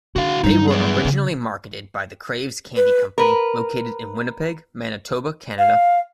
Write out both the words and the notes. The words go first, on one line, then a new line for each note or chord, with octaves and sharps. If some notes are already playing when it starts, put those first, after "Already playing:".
They were originally marketed by the Kraves Candy Company, located in Winnipeg, Manitoba, Canada.
D3 F#4 F5
G2 F#3 D#4
B3 G#4
C#3
B4
A#4 B4
F5